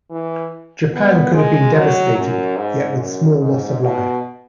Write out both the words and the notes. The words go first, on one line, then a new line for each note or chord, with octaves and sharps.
Japan could have been devastated, yet with small loss of life.
E3
B3
G#3
F#3
F#2
G#2
F#2
G#2
B2